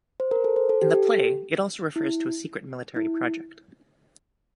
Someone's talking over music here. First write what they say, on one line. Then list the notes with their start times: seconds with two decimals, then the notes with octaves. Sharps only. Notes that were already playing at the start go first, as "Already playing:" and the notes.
In the play, it also refers to a secret military project.
0.20 C5
0.31 A#4
0.44 A4
0.56 C5
0.69 A4
0.82 G4
0.90 A4
0.95 G4
1.96 E4
2.96 E4